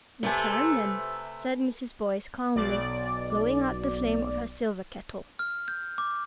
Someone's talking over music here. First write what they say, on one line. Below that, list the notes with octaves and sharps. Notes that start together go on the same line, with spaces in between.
"Return them," said Mrs. Boyce, calmly, blowing out the flame of her silver kettle.
C3 A3 A4 B4 G#5
B1 D5
F6
G6
D6